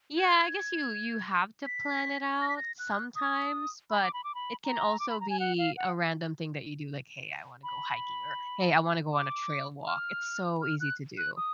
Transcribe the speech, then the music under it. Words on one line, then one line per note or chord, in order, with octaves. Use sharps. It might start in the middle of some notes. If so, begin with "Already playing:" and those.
yeah, I guess you you have to plan it out sometimes, but, it can also be a random thing that you do, like, "Hey, I wanna go hiking," or, "Hey, I wanna go on a trail walk." It's so easy to do.
G#6
B6
A#6
B6
A#6
F#6
D#6
B5
D6
B5
D6
B5
A#5
D6
B5
A#5
G#5
F#5
F5
F#5
B5
D6
F6
F6
F#6
F#6
D#6